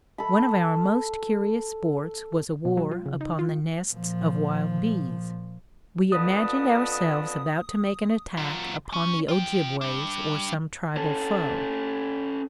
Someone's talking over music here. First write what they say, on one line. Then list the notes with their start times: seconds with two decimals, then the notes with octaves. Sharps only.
One of our most curious sports was a war upon the nests of wild bees. We imagined ourselves about to make an attack upon the Ojibways or some tribal foe.
0.18 A4 B5
2.65 B2
2.77 F#3
2.91 F4
3.06 C#3
3.21 D#4
3.39 F4
3.91 A#2 F3
6.12 F2 B3 D4 D#6
8.38 F#3 F4
8.94 C#4
9.28 F4 G5
9.81 G3 D4
10.97 C#4 A4